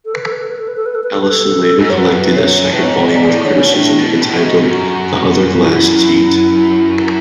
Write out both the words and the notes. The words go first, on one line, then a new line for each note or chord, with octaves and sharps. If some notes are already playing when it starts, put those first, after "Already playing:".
Ellison later collected a second volume of criticism entitled "The Other Glass Teat".
A4
B4
A4
B4
A4
B4
A4
B4
A4
B4
A4
B4
A4
B4
A4
G#2
F#2 C#5
B4
A4
B4
C#5
A2 B4
G#2 C#5
C#5
D5
A2
D3 C#5
C#3
B2
A2 D4
B2
E4
A2
B2
A2 F#4
G#2
G#2
F#2
E4